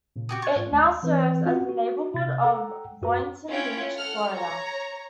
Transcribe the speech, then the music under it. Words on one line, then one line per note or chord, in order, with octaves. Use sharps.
It now serves as a neighborhood of Boynton Beach, Florida.
A#2 C#3
F#4 G4 D#6
C#6 F#6 G#6 A6
G#2 F4
D#2 A3
E3 C4 B4
C4 C#4 F4 F#4 F#5
F#4
C3 A6
A4 F#5 G5 A#5 E6
F#2 F#4 B4 A#5
C#4 E4 F4 C#5 F#5 G5
A4 F#5 F6
C#5 A#5